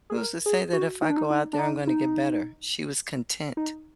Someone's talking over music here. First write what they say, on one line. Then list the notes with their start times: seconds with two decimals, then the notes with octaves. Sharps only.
"Who's to say that if I go out there, I'm gonna get better?" She was content.
0.10 G#4
0.17 A#4
0.46 G#4
0.73 F#4
1.02 D#4
1.10 D4
1.17 D#4
1.30 D#4
1.53 D4
1.59 D#4
1.87 D#4
3.57 D#4